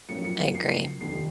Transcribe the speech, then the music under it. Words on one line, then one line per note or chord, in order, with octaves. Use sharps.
I agree.
B1 A2 F3 A#3 C#4 C#7
C#7
C7
F1 D#2 D#3 C7